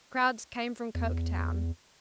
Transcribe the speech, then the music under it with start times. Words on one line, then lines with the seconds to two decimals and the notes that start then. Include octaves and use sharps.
Crowds came from Coketown.
0.95 E2